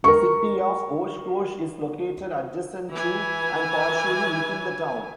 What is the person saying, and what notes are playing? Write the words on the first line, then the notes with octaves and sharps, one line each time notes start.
The City of Oshkosh is located adjacent to and partially within the town.
A#4 C#6
E3 G#5